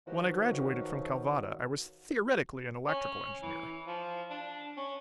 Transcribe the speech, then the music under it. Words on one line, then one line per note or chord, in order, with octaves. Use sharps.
When I graduated from Calvada I was theoretically an electrical engineer.
B2 D#3 F3 F#3 F#4 G4
C#4
E3
F3
D4
C#4